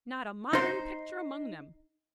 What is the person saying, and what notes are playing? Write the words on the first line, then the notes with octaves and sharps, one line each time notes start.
Not a modern picture among them.
D#4 C5